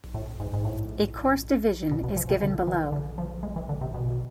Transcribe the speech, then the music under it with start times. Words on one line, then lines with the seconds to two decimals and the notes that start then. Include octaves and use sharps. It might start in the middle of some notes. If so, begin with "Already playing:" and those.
A coarse division is given below.
0.14 A2
0.40 G#2
0.53 G#2
0.65 A2
1.91 B2
2.04 B2
2.17 F3
2.30 C3
2.42 D3
2.67 E3
2.92 D3
3.18 F3
3.43 G#3
3.56 E3
3.69 D3
3.81 C3
3.94 B2